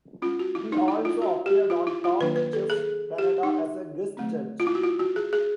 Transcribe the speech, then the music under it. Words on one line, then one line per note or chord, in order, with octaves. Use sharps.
He also appeared on "Top Chef Canada" as a guest judge.
G#3 C#4 F4
F#4
E4
D#4
E4
F4
F#4
G4
F4
E4
F4
D#3 F#3 A#3 D4 B4
B4
A4
G#4
G4
D#4
D3 F#3 A3 C4
F4
E4
F#4
F4
F#4
G#4
G#4